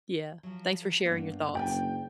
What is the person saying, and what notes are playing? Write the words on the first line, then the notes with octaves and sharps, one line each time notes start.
Yeah, thanks for sharing your thoughts.
F3 F#3
G2 A#3 B3
F#1 D5 G5 G#5